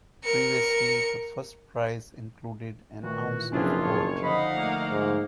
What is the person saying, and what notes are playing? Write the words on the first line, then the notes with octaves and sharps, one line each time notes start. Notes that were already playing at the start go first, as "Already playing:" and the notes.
Previously, the first prize included an ounce of gold.
A#4 C#7
A#2 D#3 E3 A3 F#4
F#1 C3 E3 F3 C#4 D4 F4 G#4
B2 C#5
D3 F3 D#4 D#5 F5 F#5 B5
A3 A#3
G#2